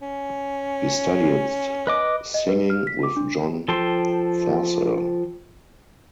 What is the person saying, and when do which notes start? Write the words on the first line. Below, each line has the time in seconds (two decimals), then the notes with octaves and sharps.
He studied singing with John Forsell.
0.02 C#4
1.87 B4 D#5 D6
2.34 D#5
2.49 B4
2.70 F6
2.87 B6
3.03 D6
3.16 D4
3.68 F3 A4 G5 C6